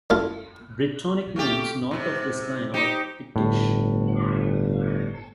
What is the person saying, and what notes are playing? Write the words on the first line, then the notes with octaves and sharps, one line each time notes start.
Brittonic names north of this line are Pictish.
F#2 A3 E4 F4 D6
A3 F4 G4
G#2 C3
D#4 G4 C5
G1 A2